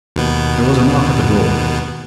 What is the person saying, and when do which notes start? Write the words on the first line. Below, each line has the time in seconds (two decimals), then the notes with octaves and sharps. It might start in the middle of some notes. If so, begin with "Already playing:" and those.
There was a knock at the door.
0.16 D#2 B2 B3